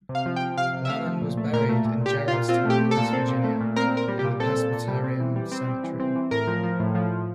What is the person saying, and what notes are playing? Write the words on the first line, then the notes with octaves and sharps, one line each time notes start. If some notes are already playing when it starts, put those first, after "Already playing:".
Lamon was buried in Gerrardstown, West Virginia, in the Presbyterian Cemetery.
C3
F5
F3
G5
F3
C3 F5
C3
E5
A3 F5
F3
A#2
A3
A#2 A#4
A3
A#2
A#2 G4
A#2
F4
A#2
C4 F4
A3 G4
A3
A4
A#2
C4
A#2
A3
A#2
C4 A#4
A#2 A#4
G3
G4
A#2
C4 A4
A#2
A#2
G3
C4
E3
G3
C4
G3
E3
C4
E3
A2 A#4
F3
F3
A2
F3
A2